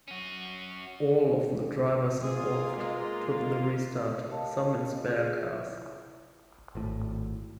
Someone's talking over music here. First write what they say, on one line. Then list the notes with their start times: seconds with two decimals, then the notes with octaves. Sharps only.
All of the drivers involved took the restart; some in spare cars.
0.08 C#4 F#4
2.23 A#3 F4 G#4
2.78 G#3
4.28 G4 A#4 C#5 D#5 F5 A5
5.08 F4 G#4
5.41 E4 C#5 E5
6.75 G#1 A2